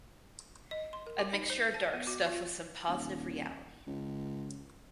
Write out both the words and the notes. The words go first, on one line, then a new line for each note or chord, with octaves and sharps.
A mixture of dark stuff with some positive reality.
D#5
C6
A#4
G4
D#4
C5
A5
B3
F#4
F4
D#1
C#2